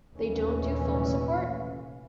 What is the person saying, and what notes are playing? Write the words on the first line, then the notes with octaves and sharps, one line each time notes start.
They don't do phone support?
A#1 D#2 C3 E3 A3 C#4